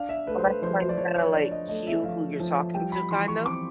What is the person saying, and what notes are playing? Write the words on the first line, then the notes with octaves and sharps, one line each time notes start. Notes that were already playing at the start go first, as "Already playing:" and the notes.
Well, that's why you gotta, like, cue who you're talking to, kind of,
Already playing: D4 F5
E5
A3 B4
C5
B4
F3 C5
C5
D5
F3 C#5
C#5
D4 D5
D#5
A3 D#5
E5
F3 F5
F3
G3 G5
B5
E3 C6
C#6
C4 D6